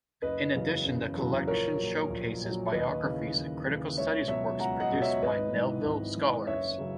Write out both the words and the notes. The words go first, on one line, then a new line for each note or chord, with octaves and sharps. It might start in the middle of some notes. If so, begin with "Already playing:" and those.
In addition, the collection showcases biographies and critical studies works produced by Melville scholars.
F#1 B4 D#5
E2 C#3 F#3
F#1
E2 C#3 F#3
A#1 A#4 C#5
A#2 F#3
A#1
A#2 F#3
D#2 B4 D#5
C#3 E3
D#2
C#3 E3
C#2 C#5 E5
B2 F#3 C#5 E5
C#2 F#5 A#5
D#5 F#5
B2 F#3
C#5 E5
G#1 B4 D#5
G#2 E3
G#1
G#2 E3
F#1 C#5 E5
C#3 F#3